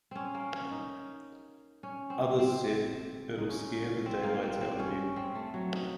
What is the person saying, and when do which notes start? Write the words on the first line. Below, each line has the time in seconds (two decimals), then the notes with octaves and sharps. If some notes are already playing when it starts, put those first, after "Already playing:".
Others said, "It'll scare the daylights out of you".
0.11 C4 C#4
0.34 A#3
0.52 C#4
0.71 D#4
1.83 C#4
2.10 C4
2.39 C4
3.37 D#4
3.49 C#4
4.06 C4
4.23 A#3
4.43 C4
4.61 C4
4.79 C#4
5.16 C4
5.35 A3
5.54 F#3
5.73 D#4